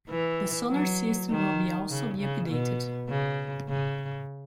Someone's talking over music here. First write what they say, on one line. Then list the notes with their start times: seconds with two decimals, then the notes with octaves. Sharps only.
The sonar system will be also be updated.
0.10 E3
0.71 F#3
1.30 D#3
1.90 C#3
2.19 C#3
2.49 B2
3.09 C#3
3.69 C#3